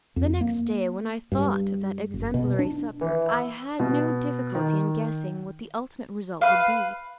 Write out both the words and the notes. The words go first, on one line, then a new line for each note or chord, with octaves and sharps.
The next day, when I thought of that exemplary supper, I had no difficulty in guessing what the ultimate result would be.
F2
A#3
G2
F#1
B2
D4
E3
E6
B2
D#3
B4 F5